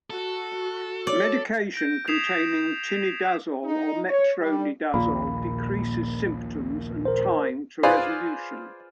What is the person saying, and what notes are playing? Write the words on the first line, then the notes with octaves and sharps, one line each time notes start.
Medication containing tinidazole or metronidazole decreases symptoms and time to resolution.
F#4 A4
C#5 D5
G6 A#6 D7
D#6 G#6 B6 C7 E7 F7
D#4
C#5
G3
A#1 D#2 A#2 A#3 B5
A#4 C5
F4 G#4 B4 C5 D5 F5